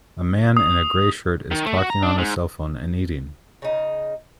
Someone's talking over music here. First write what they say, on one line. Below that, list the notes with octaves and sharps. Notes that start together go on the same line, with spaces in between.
A man in a gray shirt is talking on a cellphone and eating.
D#6
D#3
A3
F#4
A#5
D4
G#2
C#3 D#4